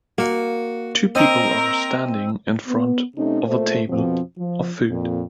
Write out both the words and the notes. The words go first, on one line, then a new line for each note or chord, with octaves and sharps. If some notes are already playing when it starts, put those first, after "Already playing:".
Two people are standing in front of a table of food.
A#3 F#4
C4 A#4 D#5
B3
C3 A3 C#4 D#4
A#2 A3 C5
F2 B2 F3 C4
F3
F2 A#2